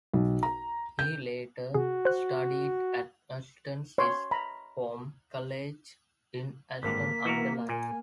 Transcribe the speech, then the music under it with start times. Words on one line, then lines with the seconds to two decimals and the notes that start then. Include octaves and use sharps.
He later studied at Ashton Sixth Form College in Ashton-under-Lyne.
0.13 B1
0.43 A#5
0.99 G6
1.74 C3 F#4 G#4
2.05 C5 F#6
3.98 C#5 C6
4.31 A#5 B5
6.83 G#1 G2 D3 A#3 B6
7.25 E3 F#4 A#4
7.69 A#2 G#5